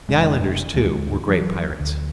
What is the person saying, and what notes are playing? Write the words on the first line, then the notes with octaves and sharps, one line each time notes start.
The islanders, too, were great pirates.
F1 G#3
D2 G#3
E3 F#3 C4 D4
D2